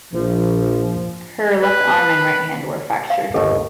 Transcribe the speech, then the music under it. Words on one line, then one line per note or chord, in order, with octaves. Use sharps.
Her left arm and right hand were fractured.
A#1 F3
B4
F5
G1 D#2 A3 A4